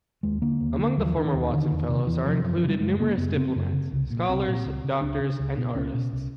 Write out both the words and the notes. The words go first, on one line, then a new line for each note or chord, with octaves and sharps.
Among the former Watson Fellows are included numerous diplomats, scholars, doctors, and artists.
D#2 G#3
D3 A#3
D#2
D3
D#2 F#3
F3
D3 D#3
D#3
D#2
D3
E2
C3
E2 E3
C3 F3
F#2 F3
F3
C#3
G3
F#2 G#3
C#3 A#3
F#2 B3
C#3 C4
F#2
C#3
C2
A#2
C2 C4
A#2
C#2
C#3
C#2 D4
C#3
C#2
B2
C#2 C#4
B2
C2